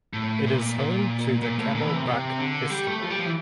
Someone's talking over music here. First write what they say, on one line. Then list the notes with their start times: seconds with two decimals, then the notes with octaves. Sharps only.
It is home to the Carmel Bach Festival.
0.13 A2
0.46 A#2
0.78 A#2
1.42 A#2
1.58 A2
1.75 A#2
1.85 E3
1.95 C3
2.05 C3
2.38 D3
2.70 G3
2.87 A3
3.03 F3
3.10 G3
3.19 F3
3.26 E3